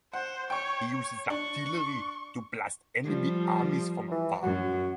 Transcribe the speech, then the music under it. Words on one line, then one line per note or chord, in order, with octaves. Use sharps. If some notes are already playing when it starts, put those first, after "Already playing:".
He uses artillery to blast enemy armies from afar.
C5 F#5
C#5 G5 C#6
C#5
D4 C#6
F3 G3
E3
F#2 F#4